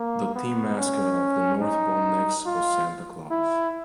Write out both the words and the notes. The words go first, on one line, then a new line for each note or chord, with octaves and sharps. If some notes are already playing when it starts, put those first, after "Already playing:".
The team mascot for the North Pole Nicks was Santa Claus.
Already playing: A#3
B3
C#4
D#4
F4
E4